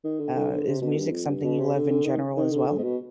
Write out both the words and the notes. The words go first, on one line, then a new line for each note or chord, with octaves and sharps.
uh, is music something you love in general as well?
D#3
D3
D3
D3
C3
B2
G2
F2
G2
B2
C3
D3
D3
D#3
D#3
D3
D3
G#2
B2